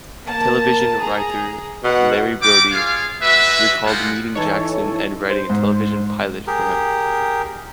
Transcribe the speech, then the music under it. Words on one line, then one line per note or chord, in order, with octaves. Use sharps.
Television writer Larry Brody recalled meeting Jackson and writing a television pilot for him.
A#3 A5
G#4 A#5
B2 F#5
G3 F#4 G5 D6
F4 G#4 C#5 F5
G#3 F#4 B4 E5
G3 G#3 A#3 F4 G4 F#5
E3 D#4 A4 C#5
C5
G#2
G4 G#4 A#4